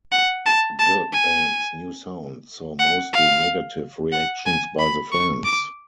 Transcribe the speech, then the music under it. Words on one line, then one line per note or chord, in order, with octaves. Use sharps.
The band's new sound saw mostly negative reactions by the fans.
F#5
A5
A5
G#5
F#5
F5
F#5
G#5
B5
C#6
D6